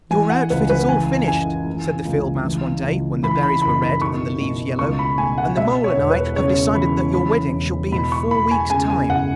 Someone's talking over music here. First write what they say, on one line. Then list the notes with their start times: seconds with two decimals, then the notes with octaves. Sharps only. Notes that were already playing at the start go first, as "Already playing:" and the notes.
'Your outfit is all finished,' said the field-mouse one day when the berries were red and the leaves yellow, 'and the mole and I have decided that your wedding shall be in four weeks' time.'
0.11 E3 G#5
0.30 F#5
0.50 C#2 B4
0.70 B4
0.89 E3 G#5
1.27 F#1 G#5
1.67 E3
2.05 C#2
2.45 E3
2.84 C#2
3.23 E3 B5
3.43 B5
3.62 F#1 B5
3.82 B5
4.01 B1 C#6
4.41 B2
4.79 C#2 C#6
4.99 B5
5.18 B2 G#5
5.38 F#5
5.57 B2 E5
5.84 C#5
5.97 E1
6.10 B4
6.36 C#3 C#5
6.75 E3 B5
7.14 E3 B5
7.53 E1
7.91 B2 B5
8.12 C#6
8.31 E1 B5
8.51 G#5
8.70 C#3 G#5
8.90 G#5
9.09 F#1 F#5